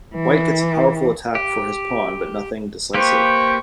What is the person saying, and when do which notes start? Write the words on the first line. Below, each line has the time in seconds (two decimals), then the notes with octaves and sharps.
White gets a powerful attack for his pawn but nothing decisive.
0.15 E3
1.35 G4
2.94 A#3 G4 B4 C5 G5 C#6